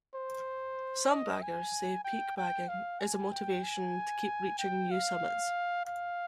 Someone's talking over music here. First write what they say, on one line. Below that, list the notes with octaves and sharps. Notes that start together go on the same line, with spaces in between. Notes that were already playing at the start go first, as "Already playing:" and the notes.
Some baggers say peak bagging is a motivation to keep reaching new summits.
C5
D#5
G#5
G5
G5
F5
G#5
G5
G#5
G5
F5
F5